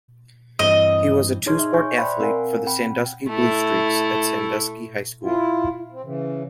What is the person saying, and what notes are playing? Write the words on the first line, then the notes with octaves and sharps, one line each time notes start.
He was a two-sport athlete for the Sandusky Blue Streaks at Sandusky High School.
G2 E3 C4 D#5
D#4 G#4 C#5 C6 F6 G#6
E5
G#5 C#6 G6
C5 D5 E5 G5 B5 C6
C4 A#4 F5 F#5 G#5
C4 F#5 G5 B5
A3 E4
E4 F4
C4
C#3 E3